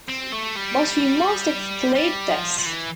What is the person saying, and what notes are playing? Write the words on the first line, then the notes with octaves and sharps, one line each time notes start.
But we must exclude this.
C4
A3
G3
G3
F3
F3
E3